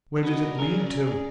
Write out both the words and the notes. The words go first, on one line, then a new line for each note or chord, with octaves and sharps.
Where did it lead to?
B3 D4 F#4 A#4 D#5
G2 F#3 C#4 G#4 A#4 D5 A#5
G#4